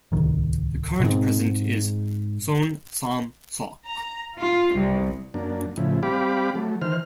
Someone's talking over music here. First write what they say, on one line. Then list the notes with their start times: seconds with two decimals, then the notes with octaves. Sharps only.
The current president is Son Sam-seok.
0.12 D1 C2 D#3
1.00 C2 G#2 B2 C4
3.86 A#5
4.38 F4
4.76 C2
5.34 F#2 A#3 D4
5.78 A2 C#3 F3 E4
6.03 G3 C4 G4 F5 B5 D6
6.55 F#3 A3
6.82 D#3 E3 C5 F6